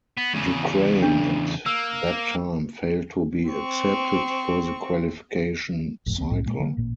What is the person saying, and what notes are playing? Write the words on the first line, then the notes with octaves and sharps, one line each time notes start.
Ukraine at that time failed to be accepted for the qualification cycle.
B3
E2 C#3
D4
A#3 E6
C4 C#6
F#1 B1 F2 A2
D#1 C#2 C4
C2 A2
A#2 G#3 A#3
D3 F#3 G#3 A#3
A1 A#2 A#3